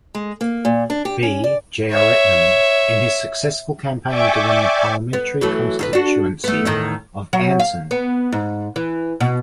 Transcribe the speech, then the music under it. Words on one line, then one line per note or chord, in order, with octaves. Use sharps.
B. Jeyaretnam, in his successful campaign to win the parliamentary constituency of Anson.
G#3
A#3
A#2
D4
G4
C#4
D5
C#5 E5
D5 E5 G5 G#5 C#6 D6
B3
E3 F#3 A3
D#2 F4 B4
D4 F#4
A3 B3
E2 A2 D#3
F#3
F5
B3
G#2
E3
B2